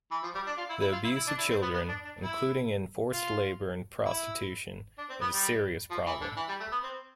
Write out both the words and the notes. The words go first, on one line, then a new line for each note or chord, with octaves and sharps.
The abuse of children, including in forced labor and prostitution, is a serious problem.
E3
F3
G3
D4
F4
E4
E4
F4
E4
E4
D4
E4
C4
B3
B3
D4
D4
E4
F4
E4
D4
C4
B3
G3
F3
E3
D3
E3
G3
A3
B3
C4